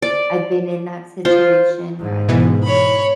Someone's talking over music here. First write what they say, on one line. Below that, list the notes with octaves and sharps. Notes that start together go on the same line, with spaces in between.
I've been in that situation where I've stayed,
D5
F4 C5
G#2
B2 E3 B3
C#5 B5